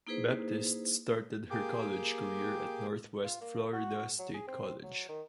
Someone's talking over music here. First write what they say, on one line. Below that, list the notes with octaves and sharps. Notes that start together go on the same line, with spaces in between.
Baptiste started her college career at Northwest Florida State College.
A#3 D#4 E4 G#4 B4 C5
A#3 G4 G#4 G5 D6
F4
A#3
F#4
F#3
G#4
C4
F#3
D#3